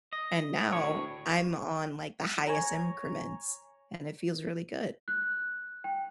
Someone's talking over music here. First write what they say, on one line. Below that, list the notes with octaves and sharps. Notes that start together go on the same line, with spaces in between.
and now I'm on, like, the highest increments, and it feels really good.
D#5
D2 A2 C#5
C#5 G#5 A#5
F#6
G5